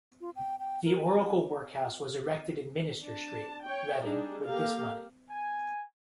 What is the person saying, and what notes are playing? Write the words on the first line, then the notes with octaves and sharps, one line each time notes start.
The Oracle workhouse, was erected in Minster Street, Reading with this money.
F4
G5
G5
A#4
G#5
D4 A5
C#5 G5
G3 D4 D#4 G#4
A#3 G4 A4 A#4 F5
G#5